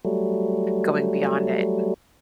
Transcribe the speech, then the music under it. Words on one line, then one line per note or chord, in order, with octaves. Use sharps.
going beyond it.
F#3 G3 A3